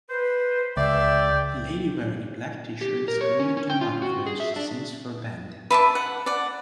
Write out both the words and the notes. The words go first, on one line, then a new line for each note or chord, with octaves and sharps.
A lady wearing a black tshirt is screaming into a microphone as she sings for a band.
B4 C5
C#2 D5 E5 G5
G4
A#4
C#5
C#4
C#4
G5
F4
F#4
G#4
E5
D4
B4 E5 A5 D6
F#5
D5 F#5